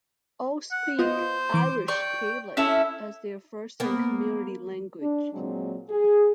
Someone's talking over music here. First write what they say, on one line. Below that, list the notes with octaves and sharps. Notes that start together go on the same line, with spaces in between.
All speak Irish Gaelic as their first and community language.
F#5
B3 F4 C5 D#5
E3 D6
D5 G5 C#6
C#4 E4 A4 E5
A#3 B3
D4
A#2 F#3 G#3 C4
G#4